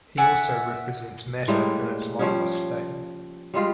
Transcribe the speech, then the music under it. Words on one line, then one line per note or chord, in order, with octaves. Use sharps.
He also represents matter in its lifeless state.
D5 E5 F#5 G#5
A2 G3 G#3 A#3
F3 G3 C#4
G3 G#3 F4 G4